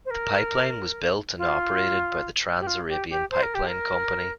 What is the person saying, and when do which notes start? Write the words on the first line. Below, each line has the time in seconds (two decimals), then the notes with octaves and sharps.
The pipeline was built and operated by the Trans-Arabian Pipeline Company.
0.05 C5
0.10 A#4
1.38 F4
2.60 G4
2.66 F4
2.89 G4
3.10 G4
3.30 C5
3.42 A#4
3.54 G4
3.67 A#4